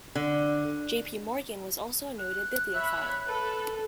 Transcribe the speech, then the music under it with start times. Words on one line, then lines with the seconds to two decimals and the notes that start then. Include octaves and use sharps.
J. P. Morgan was also a noted bibliophile.
0.15 D3
2.19 F#6
2.75 C#5 E5 B5
3.28 A4 B4